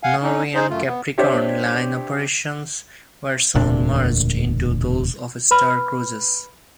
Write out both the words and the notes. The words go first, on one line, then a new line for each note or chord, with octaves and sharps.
Norwegian Capricorn Line operations were soon merged into those of Star Cruises.
F5 F#5 G#5
C#4 D#4
D#4 G#4 C5
F#2 A3 F4
B3
C4 D4 G4 C5 C#5 E5
E1 D2 A#2 D4
B4 B5 F6